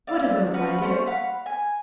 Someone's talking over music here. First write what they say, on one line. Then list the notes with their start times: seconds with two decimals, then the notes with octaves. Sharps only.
"What is over, my dear?"
0.07 D5 F5 E6
0.54 C#4 F#4 B4
0.82 A3 C#4 C5
1.07 F5 F#5 B5
1.46 G#5